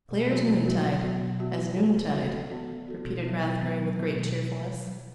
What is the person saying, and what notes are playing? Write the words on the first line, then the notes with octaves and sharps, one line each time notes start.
"Clear as noontide--as noontide," repeated Rathbury with great cheerfulness.
B2
F#3 B3 F#4
B2
F#3 B3 F#4
B2
F#3 B3 F#4
B2
F#3 B3 F#4
E3
B3 F#4 A4
E3
B3 F#4 A4
E3
B3 F#4 A4
E3
B3 F#4 A4
B2
F#3 B3
B2
F#3 B3
B2
F#3 B3
B2